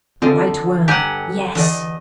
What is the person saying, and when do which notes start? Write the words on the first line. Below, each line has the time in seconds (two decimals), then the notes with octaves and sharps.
"The White Worm--yes!"
0.22 D3 C4 F4 G#4 A4 D#5
0.88 G2 G4 F#5 G#5 A#5
1.55 E2 D3 E3 D5 D#5